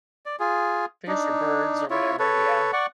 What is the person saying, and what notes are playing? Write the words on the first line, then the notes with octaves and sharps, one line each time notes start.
Fish or birds or whatever, yeah.
D5
F4 G#4
D4 D#4
E4 F4 C#5
A4 B4 C#5
D5 F#5 C#6